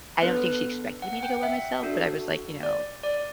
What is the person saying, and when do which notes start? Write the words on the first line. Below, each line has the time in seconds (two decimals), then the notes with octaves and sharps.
I I I don't think she expected me to go by myself, but I was, like, you know
0.22 B3 D4 A4 B4
1.02 F#5
1.13 F#5
1.23 G5
1.32 F#5
1.43 E5
1.83 D4 F#4 A4
2.63 D5
3.03 D5